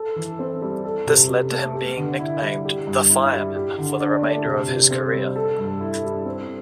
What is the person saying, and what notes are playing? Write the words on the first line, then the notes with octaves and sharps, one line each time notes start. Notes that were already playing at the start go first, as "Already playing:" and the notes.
This led to him being nicknamed 'The Fireman' for the remainder of his career.
Already playing: A4
E3
C4
G3
A4
C3
C4
A3
G4
D3
E4
G3
G4
G2
E4
G3
G4
D3
D4
A3
C3
C3
C4
G3
A4
G2
E4
G3
C4